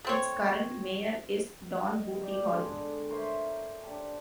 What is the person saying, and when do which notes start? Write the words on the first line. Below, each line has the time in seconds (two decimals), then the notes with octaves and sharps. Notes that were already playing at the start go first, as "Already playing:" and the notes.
Its current mayor is Don "Booty" Hall.
0.05 A3 C4 C#5
1.87 B2 D#5
2.20 D#4 G4 D5
2.48 D3 G#3
3.09 A#4 C5 C#5 E5
3.83 D4 G4 A5